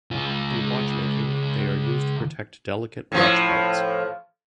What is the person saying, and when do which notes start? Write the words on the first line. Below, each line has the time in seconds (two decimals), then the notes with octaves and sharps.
In watchmaking they are used to protect delicate watch parts.
0.11 C#2 F4
3.12 A2 F3